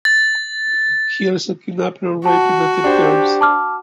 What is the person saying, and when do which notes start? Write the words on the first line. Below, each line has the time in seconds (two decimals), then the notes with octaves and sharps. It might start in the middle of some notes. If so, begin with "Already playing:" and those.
He also kidnapped and raped native girls.
0.05 A6
2.25 F#4 A5
2.84 D4 G4 C5
3.41 A5 D6 F6